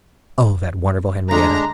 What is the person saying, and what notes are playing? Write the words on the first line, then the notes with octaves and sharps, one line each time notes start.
Oh, that wonderful Henriette!
D2 G#3 D4 A#5